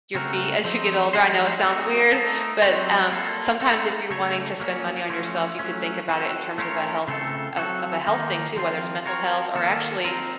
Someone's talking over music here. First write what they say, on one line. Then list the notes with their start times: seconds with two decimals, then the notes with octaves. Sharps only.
your feet as you get older; I know it sounds weird, but, um, sometimes if you're wanting to spend money on yourself, you could think about it in terms of a health of of a health thing too, whether it's mental health or actually
0.15 C#3 A3 C4 F#4 A#4
0.64 F3 C4 D#4
1.13 F3 A3 D#4 F#4 C5
1.63 A3 C4 D#4 F#4
2.13 A3 D#4 A4
2.62 F#3 C4 F#4 C5
3.12 A#3 F4 A4
3.61 A3 D#4 A4
4.10 C#3 A3 D#4 A4 C#5
4.60 F#3 A#3 C#4 F#4
5.10 F3 A3 C#4 F#4
5.59 F#3 A3 C#4
6.09 C4 F#4 A4
6.58 A3 C#4 F4 A#4 C#5
7.08 C#3 A3 C4 F4 A4
7.57 F#3 C4 F#4 A4
8.07 D#3 A#3 D#4
8.56 F3 C4 F4
9.06 C4 F#4 A#4 C#5
9.55 D#3 A#3 F4 A4
10.04 C4 D#4 A#4